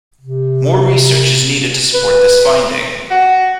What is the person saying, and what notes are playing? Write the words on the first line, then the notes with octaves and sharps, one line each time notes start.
More research is needed to support this finding.
C3
B4
F#4